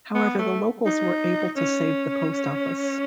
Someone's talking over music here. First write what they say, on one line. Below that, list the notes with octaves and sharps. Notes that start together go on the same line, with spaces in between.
However the locals were able to save the post office.
B3
A3
D#4
C#4